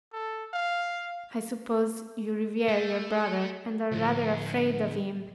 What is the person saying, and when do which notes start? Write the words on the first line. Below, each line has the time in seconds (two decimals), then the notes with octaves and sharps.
"I suppose you revere your brother and are rather afraid of him."
0.13 A4
0.53 F5
2.68 A3
3.91 D2 A2 F3